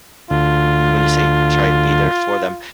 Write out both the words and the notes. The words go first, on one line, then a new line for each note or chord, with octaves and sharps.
and when you say try to be there for them,
D2 F4